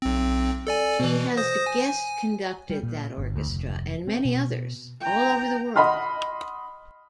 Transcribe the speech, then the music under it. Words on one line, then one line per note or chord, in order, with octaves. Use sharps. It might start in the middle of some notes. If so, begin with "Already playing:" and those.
He has guest-conducted that orchestra, and many others, all over the world.
B1 C4
A4 D5 G#5
B2 E3
C5 D#6 A#6
G#5
G3
A#2
G1
D2
F1
C4
B2
G5 A#5
D#5 F#5 B5 C6 F6